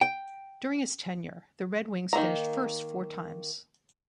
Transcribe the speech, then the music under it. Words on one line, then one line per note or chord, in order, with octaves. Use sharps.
During his tenure, the Red Wings finished first four times.
G5
D#3 G#3 A#3 A#5